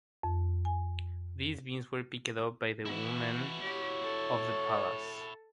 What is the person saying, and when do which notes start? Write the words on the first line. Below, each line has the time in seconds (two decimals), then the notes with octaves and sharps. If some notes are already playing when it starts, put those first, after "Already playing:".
These beans were picked up by the women of the palace.
0.23 F2
0.65 G#5
2.85 E3 E4 F#4
3.61 G4 C#5
4.01 A4